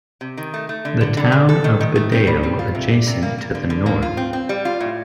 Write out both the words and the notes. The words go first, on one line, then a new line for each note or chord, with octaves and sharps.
The town of Bedale adjacent to the north.
C3
D#3
A3
A3
D3
D3
D3
D3
A4
D#3
D#3
A3
C4
G3
C4
F4
C3
D4
C3
A#3
A#3
D3
D3
A#3
F4
C4
C4
G3
F4
A2